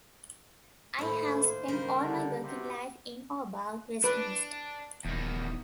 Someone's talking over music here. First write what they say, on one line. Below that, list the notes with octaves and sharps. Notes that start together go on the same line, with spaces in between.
I have spent all my working life in or about Westminster.
A2 D#3 A#3 E4 C5
C#3 G3 A#4
D3
C3 E3 F#4
D4 B4
D#1 E2 D#3